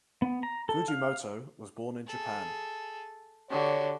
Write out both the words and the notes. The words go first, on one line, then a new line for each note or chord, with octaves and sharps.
Fujimoto was born in Japan.
B3
A#5
A4
F5
G#4 A4
D3 F#4 G4 C#5